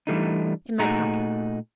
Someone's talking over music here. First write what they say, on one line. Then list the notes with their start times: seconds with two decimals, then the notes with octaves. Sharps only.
"In my pocket."
0.07 E3 G3 A3 D4 D#4
0.79 A#2 A3 D#4 F#4 G#4 A#5